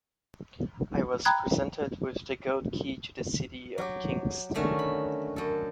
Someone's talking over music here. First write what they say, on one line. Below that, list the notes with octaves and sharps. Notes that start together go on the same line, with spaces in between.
I was presented with the gold key to the city of Kingston.
G5 A#5 B5 D#6 F#6 G#6
F#3 G4
D3 D#3 A3 C#4 F#4
B5
F#2 A4